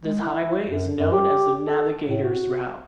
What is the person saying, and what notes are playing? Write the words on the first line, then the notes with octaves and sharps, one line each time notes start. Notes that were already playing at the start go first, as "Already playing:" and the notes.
This highway is known as the Navigator's Route.
G#3
E4
F#2
F#2
G4
A4
A2
F#4